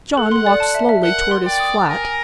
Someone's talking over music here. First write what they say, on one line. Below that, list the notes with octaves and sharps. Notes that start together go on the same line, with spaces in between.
John walked slowly toward his flat.
A4 F#5
C6
D5
A5
E5
E5
A#4 F#5
A#4
C6
D5 G5
D#6
D#6
A#4 G#5
G#5